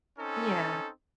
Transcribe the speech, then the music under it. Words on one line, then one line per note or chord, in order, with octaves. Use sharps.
Mm, yeah.
C4 C#4 D#4 A4